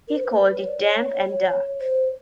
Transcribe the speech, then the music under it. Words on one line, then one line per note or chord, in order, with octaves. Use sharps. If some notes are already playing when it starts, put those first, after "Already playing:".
He called it damp and dark.
A#4
C5
B4
C#5
D5
C#5
C5